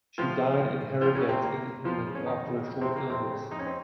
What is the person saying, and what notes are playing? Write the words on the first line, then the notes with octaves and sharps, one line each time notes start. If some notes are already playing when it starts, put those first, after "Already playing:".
She died in Harrogate in England after a short illness.
A2 F3 F4
A2
A2 F3 F4
C#3 C#4
C3 C4
A2 A#3
F2 F3 F4
C#3
C#4
F2 D#3 D#4
C#3
F2
C3 C4
C#3
A#3
F2 C3 C4
C#3
F2 D#4
C#4
C4